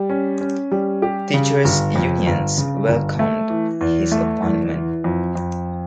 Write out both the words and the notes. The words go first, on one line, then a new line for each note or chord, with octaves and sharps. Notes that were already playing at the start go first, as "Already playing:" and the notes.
Teachers unions welcomed his appointment.
Already playing: G3
C#4
C#4
G3
G4
C#3
G1
F2
G1
C#3
G1
A3
E3
E2
A3
E2
E3
F2
F2